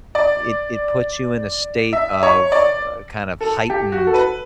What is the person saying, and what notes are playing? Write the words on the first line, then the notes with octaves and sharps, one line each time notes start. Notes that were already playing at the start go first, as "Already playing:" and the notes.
it it puts you in a state of, uh, kind of heightened
D5
E5
C#5
D5
A4
G4
F#4
A4
B4